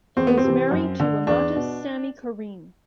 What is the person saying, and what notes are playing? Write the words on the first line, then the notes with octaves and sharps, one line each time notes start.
He is married to Amatus-Sami Karim.
E2 C4
B3
C4
C3 E3
F#2
D3
E2 D4
B2